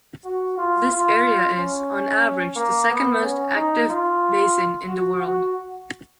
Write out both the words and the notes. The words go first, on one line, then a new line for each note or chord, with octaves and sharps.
This area is, on average, the second-most active basin in the world.
F#4
F4
F4
C#4
A#3
B3
C#4
D#4
F4
F#4
F#4